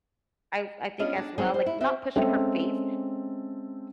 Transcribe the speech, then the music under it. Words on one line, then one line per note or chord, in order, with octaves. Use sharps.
I've I think, as well, like, not pushing her faith,
B3 C#4 D4 F4 D#5
D4 G#4
F#3 G3 A#3 C4 D#4 G#4
C5
E4
C4 F#4 E5
G#3 C4 C#4 A4 E5 G5